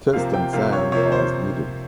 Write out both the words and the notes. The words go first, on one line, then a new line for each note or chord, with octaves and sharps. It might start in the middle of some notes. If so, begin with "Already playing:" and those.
Test and sand as needed.
C3 F3 A#3 F5
G5
C3 F3 A#3 F5
C#5
C3 F3 A#3 C#5
C5